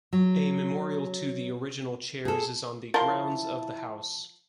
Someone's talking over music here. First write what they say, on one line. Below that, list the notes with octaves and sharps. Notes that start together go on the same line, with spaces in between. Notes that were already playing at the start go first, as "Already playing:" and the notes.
A memorial to the original chairs is on the grounds of the house.
F#3
G#4 A4
F3 E4 A#4 A5 C6